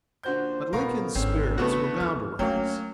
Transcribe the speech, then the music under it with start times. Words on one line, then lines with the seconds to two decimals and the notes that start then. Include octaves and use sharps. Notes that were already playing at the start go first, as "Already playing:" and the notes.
But Lincoln's spirits were bound to rise.
0.23 A#2 D3 F#4 C5 G6
0.73 A1 F2 B2 B3 A#4 F5 C#6
1.15 G#1 E2 D3 C4 C#4
1.58 C#3 A3 B3 F#4
2.00 D#2 F6
2.39 F#3 A3 A#3 C#4 D4 F5 G5